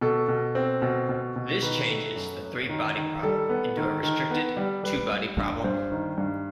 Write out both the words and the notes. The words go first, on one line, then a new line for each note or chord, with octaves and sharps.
This changes the three-body problem into a restricted two-body problem.
B2 A4
B2
C4
B2
B2
B2
D#3 B4
A3
F#2
F#2
D#3
D#3
G3 A4
B3
D#3
D#3
B3
G3
G3 B4
G3
G2
G2 C5
D#3
G2